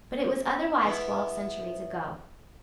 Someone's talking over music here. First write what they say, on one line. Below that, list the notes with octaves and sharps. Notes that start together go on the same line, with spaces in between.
But it was otherwise twelve centuries ago.
B3 E4